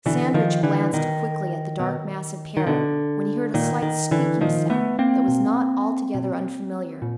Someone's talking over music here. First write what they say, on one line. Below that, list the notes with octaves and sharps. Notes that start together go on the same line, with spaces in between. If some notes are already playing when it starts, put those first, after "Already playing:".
Sandridge glanced quickly at the dark mass of pear when he heard a slight squeaking sound that was not altogether unfamiliar.
B2 D3 E3
D#3 F3
D3 E3
B2 D#3
B2
D#3
B2 D3
A#2 D#3
D#3
D3 E3
A#2 D#3 F3
A3 B3
A#3 C4
B2
B2
A#2